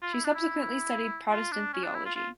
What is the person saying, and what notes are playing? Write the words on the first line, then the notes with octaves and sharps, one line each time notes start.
She subsequently studied Protestant theology.
F4
E4
D4
E4
F4
D4
C#4
D4
E4
F4
F4